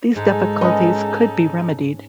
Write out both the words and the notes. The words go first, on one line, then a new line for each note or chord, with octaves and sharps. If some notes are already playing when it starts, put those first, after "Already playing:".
These difficulties could be remedied.
G#2 G#3 D#4 A4
C#4 B4 D#5